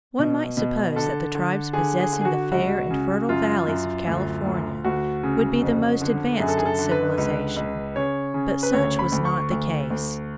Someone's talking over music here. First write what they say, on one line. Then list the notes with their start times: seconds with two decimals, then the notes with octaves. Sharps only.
One might suppose that the tribes possessing the fair and fertile valleys of California would be the most advanced in civilization, but such was not the case.
0.19 B2
0.57 B2
0.96 D3 A4
1.35 D3
1.73 D3 G#4
2.00 G#4
2.13 D3
2.21 G#4
2.25 F#4
2.51 C#2 F#4
2.90 C#3
3.29 F#2 F4
3.68 F#2
4.07 D2
4.46 D2
4.84 D2 F#4
5.23 C#3
5.62 F2
6.01 D3
6.40 F#2 G#4
6.48 A4
6.57 G#4
6.65 A4
6.79 D3
6.91 B4
7.18 C#2
7.56 C#2
7.96 C#3 C#5
8.34 C#3
8.63 B4
8.73 D2 C#5
8.99 B5
9.12 D2
9.25 C#6
9.51 D2
9.90 D2